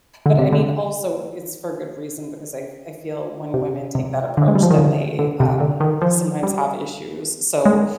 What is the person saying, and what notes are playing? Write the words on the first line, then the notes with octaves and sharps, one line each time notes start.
but, I mean, also, it's for a good reason because I f I feel when women take that approach, then they, um, sometimes have issues, so
D3
C3
D3
C3
C3
D3
G#3
G3
F3
D#3
D3
D3
C3
D3
D#3
F3
G3
G#3